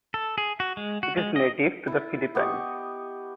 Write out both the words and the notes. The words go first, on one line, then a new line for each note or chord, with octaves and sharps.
It is native to The Philippines.
A4
G#4
F#4
G#3
F#4
G#3
D#5
E4
B3 G4 D#5 C#6